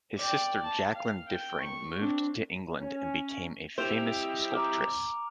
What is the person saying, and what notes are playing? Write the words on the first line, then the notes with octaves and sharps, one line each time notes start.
His sister Jacqueline Diffring moved to England and became a famous sculptress.
D5 G5
A5
F5
G5
C#6
C4 D4
C#4
G3 C4 E4 C5 D#5 D7 F7
A#5 D6 F6